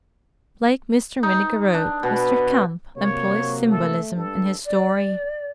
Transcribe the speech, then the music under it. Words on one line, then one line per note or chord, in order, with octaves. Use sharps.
Like Mr. Minnigerode, Mr. Camp employs symbolism in his story.
D#4
D4
B2
C3 F#3 A#3 C#5
A3 A4
G2 A4
D5